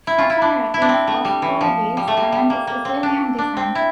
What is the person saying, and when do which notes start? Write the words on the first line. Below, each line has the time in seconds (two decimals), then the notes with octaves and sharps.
Fafara is of Portuguese and Sicilian descent.
0.07 E4
0.18 F4
0.30 E4
0.42 D4
0.74 E4
0.82 D4
0.89 C4
1.07 A3
1.25 G3
1.42 E3
1.61 F3
1.97 G3
2.08 A3
2.17 G3
2.32 G3
2.50 A#3
2.67 A#3
2.85 C4
3.03 D4
3.39 D4
3.57 C4
3.75 E4